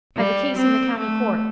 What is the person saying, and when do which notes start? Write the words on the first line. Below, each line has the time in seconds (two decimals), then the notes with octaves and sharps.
I've a case in the County Court.
0.17 G3
0.57 C4
0.98 A3